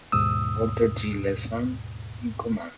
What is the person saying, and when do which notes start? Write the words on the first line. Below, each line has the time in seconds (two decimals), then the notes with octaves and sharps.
Walter G. Lessman in command.
0.12 D#2 G#2 B2 D#6 E6